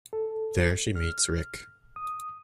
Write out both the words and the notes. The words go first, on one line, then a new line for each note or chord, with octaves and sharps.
There she meets Rick.
A4
F6
D#6